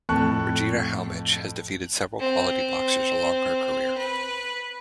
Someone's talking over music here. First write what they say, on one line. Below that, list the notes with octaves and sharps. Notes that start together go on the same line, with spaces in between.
Regina Halmich has defeated several quality boxers along her career.
F2 A2 A5 C#6 F#6
C4
B4